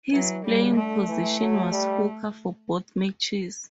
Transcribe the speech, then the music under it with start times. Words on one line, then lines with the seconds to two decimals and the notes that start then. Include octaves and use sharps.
His playing position was hooker for both matches.
0.13 E3 F#3
0.45 C#3 G3
0.76 D3 A3
1.09 E3
1.40 F#3
1.71 G3